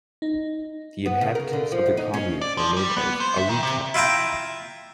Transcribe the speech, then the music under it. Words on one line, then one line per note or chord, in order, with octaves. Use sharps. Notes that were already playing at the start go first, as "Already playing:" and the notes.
The inhabitants of the commune are known as "Arruetar".
D#4
B3
C#3
A#4
D3
F3
E2
D#4
C#4
D5
F3
G3
B3
C5
E5
D#3
C3
E4 F4 E5 G5 A#5